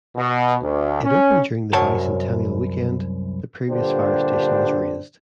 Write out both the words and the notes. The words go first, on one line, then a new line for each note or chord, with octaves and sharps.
It opened during the bicentennial weekend; the previous fire station was razed.
B2
D2
C#4
C2 F#2 C#5 A5
G2 A#2 D3 D4 G4 C5